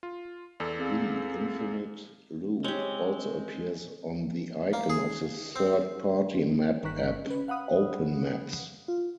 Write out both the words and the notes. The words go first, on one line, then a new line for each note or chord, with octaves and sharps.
The Infinite Loop also appears on the icon of the third-party map app OpenMaps.
F4
E2 A4 D5
C4 G#4 F5
G#3 C4 G4 C#5
A#3
G#4
C4
G1 D#3 A#5 C#6 F#6 B6
C#4 B4
F5 F#5 B5 D#6 F#6
F4